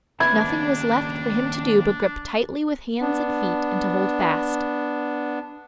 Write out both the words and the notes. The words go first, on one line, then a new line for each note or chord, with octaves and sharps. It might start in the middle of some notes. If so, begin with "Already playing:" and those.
Nothing was left for him to do but grip tightly with hands and feet and to hold fast.
D#2 C#3 B3 D4 E4 G#6
B3 D4